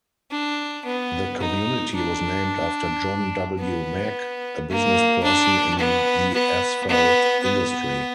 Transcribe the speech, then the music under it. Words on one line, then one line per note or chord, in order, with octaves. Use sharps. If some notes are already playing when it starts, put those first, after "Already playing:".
The community was named after John W. Mack, a businessperson in the asphalt industry.
D4
B3
D#4
D4
B3
A#3
D4
B3
B3
B3
B3